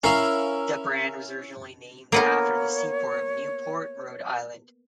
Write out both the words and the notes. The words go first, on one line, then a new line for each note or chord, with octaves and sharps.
The brand was originally named after the seaport of Newport, Rhode Island.
C#4 E4 A#4 F5
A#3 B3 A#4 C#5